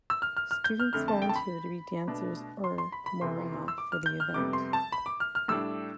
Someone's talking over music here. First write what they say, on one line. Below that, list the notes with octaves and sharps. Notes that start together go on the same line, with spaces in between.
Students volunteer to be dancers or morale for the event.
E6
F6
F6
F6
G6
F6
F2 D3 A3 F6
A5
G5
A5
B5
B2 A3 D4
C6
C6
B5
B5
F2 C3 E3 B3 C6
E6
D6
F6
G6
F6
F2 C3 G3 B3 D6
C6
A5
B5
D6
F6
F6
A2 G3 D4 E6